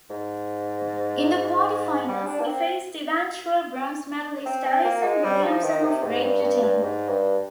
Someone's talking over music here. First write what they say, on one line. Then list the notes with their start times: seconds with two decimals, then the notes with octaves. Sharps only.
In the quarterfinals, He faced eventual bronze medalist Alison Williamson of Great Britain.
0.10 G#2
2.08 G3
2.27 D4
2.40 A#3
2.47 C4
4.46 C4
4.65 C4
4.84 A#3
5.04 G#3
5.24 G3
5.44 F3
5.64 D#3
5.84 C3
6.04 G#2
6.23 G2
6.43 G2
6.63 G2
6.83 G#2
7.09 G2